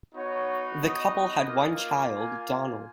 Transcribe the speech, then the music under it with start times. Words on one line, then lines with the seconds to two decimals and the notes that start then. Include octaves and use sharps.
The couple had one child, Donald.
0.14 B3 D#4 F#4 C#5
0.81 D#5
1.48 A#3 F4
2.14 G#5
2.47 G#5